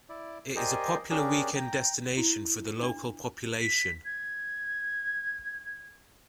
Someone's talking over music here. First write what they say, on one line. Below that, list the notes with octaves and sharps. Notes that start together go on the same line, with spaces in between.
It is a popular weekend destination for the local population.
E4 D5
G4 A#4 C5 D5 D#5 G#5
C#4 D4 G4 G#4 A#4 D5
G5 A#5
E4
D4
B6
G#6